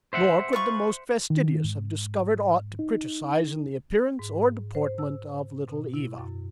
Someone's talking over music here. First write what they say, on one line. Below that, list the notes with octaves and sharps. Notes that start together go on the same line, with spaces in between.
Nor could the most fastidious have discovered aught to criticize in the appearance or deportment of Little Eva.
C5 E5 F#5
F4 B4 C#6
D#3
G#2
D#4
G#2
C5
E6
B2
E4
F#2